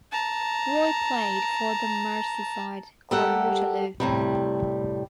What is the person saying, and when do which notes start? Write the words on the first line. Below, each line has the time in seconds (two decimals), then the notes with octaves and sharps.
Roy played for the Merseyside club Waterloo.
0.12 A5 A#5
3.11 G3 G4 A4 A#4 F#5
4.00 A2 C3 G3